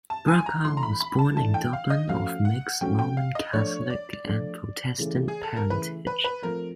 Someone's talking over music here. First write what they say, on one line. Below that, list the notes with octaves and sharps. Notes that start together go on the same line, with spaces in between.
Brugha was born in Dublin of mixed Roman Catholic and Protestant parentage.
A5
G#5
A#5
E3 A3 D4 C6
A#5
B5
B5
A5
E3 A3 D4 A5
G5
F5
D#5
F3 A3 C#4 F#4 F5
F#5
F3 A3 C#4 F#4 G5
G5
F5
D#5
F3 A3 D4 C#5
D5
F3 A3 D4
C#3 E3 A3
G#4
A4
A#4
C#3 E3 A3 B4
B4
B4
F3 A3 C4 F4 A#4